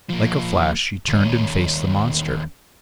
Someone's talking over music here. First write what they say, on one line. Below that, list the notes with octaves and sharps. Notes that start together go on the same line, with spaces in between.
Like a flash she turned and faced the monster.
F3 A#3
D#2 C#4